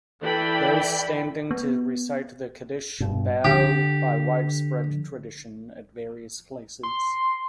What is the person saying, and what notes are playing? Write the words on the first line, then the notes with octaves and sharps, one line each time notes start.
Those standing to recite the Kaddish bow, by widespread tradition, at various places.
E3 A4 D5 G5 B5
B3
G2 B2
D3 G4
C6